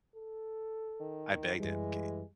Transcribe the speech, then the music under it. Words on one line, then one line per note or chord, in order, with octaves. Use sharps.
I begged him. "Ca
A4
D#3
F#2 E3 G3 G#3